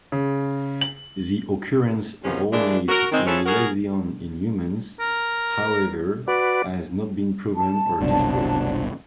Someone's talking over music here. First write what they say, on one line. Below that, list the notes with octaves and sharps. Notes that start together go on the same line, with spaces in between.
The occurrence of Olney's lesions in humans, however, has not been proven or disproven.
C#3
F#7
E2 C3 D#3 F3 F#3 C#4
E3 G#3 A#3 D4
F#4 A#4
D#3 G#3 C4
E3 F3 C#4 G#4 A4
F#4 G#4 A#4
A#4
F#4 B4 D5
A5
F#1 C2 B2 F#3 C4 D4